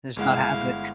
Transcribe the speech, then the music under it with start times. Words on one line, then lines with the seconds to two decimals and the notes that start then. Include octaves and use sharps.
Just not having it.
0.16 G1 G#3 E4 F5 F#5